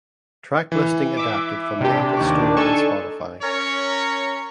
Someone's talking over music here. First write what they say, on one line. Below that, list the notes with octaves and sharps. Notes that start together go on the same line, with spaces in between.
Track listing adapted from the Apple Store and Spotify.
E3
E5 D6
C3 D4 G4
D#2 D#4 C#6
D#4 A4 G#5 C#6 E7
C#4 A#4 C#5